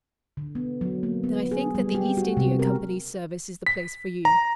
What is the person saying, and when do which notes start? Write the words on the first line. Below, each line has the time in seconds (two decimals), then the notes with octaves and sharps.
"Then I think that the East India Company's service is the place for you."
0.37 D3
0.55 B3
0.81 F#3
1.03 A#3
1.24 B3
1.52 G#4
1.75 G3
1.95 G4
2.17 F#4
2.37 C3
2.59 A#4
3.67 B6
4.25 A#5